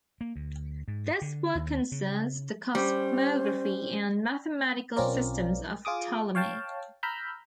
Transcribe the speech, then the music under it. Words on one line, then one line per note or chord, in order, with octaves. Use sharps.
This work concerns the cosmography and mathematical systems of Ptolemy.
A#3
D2
G#2
D3
D#2
C#3
G3 C#4 C5
B1 C4 C#4 F4 A#4 D5
F4 G#4 D6 D#6
C#5 F5 G5 A5
A#5 B5 E6 F6 G6